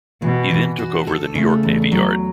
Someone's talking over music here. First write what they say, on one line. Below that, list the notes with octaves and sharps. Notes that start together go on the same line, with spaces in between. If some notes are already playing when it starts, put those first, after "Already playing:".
He then took over the New York Navy Yard.
B2 E3
E3
F#4
A4
C#3 A3
E2
F#3